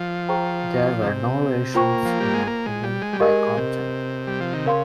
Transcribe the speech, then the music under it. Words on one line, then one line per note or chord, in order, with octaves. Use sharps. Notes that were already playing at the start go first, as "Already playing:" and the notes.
There were no rations in an innings by Compton.
Already playing: F3
G#4 C5 G5 A#5 C#6
C3
A#3 F4 C5 G5 C#6
F3
G3
G#3
A#3
G#3
G3
G#3
G3
G#3 G4 A#4 D#5
C3
G3
F3
D#3
C#3 A#4 F5 C6